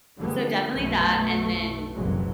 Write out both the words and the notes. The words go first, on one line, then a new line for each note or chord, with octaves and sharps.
So, definitely that and then
D3 F3 G3 G#3 A#3 B3
B1 F#2 B2 A3 B3
F#1 C2 A#2 E3 F#3 G#3